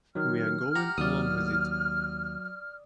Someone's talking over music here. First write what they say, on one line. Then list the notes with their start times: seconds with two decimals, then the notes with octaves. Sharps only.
We are going along with it.
0.15 D#3 F#3 F6
0.75 G4 F#5 A#5
0.98 D#2 F#3 D5 D#6